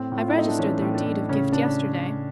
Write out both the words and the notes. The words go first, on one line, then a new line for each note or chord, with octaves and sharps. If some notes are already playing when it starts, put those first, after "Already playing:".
"I registered their deed of gift yesterday."
Already playing: A2 C4
A2
F4
E4
A3 D#4
D4
E3 C#4
A2
D4
A2
C#3 C#4
C#3 D4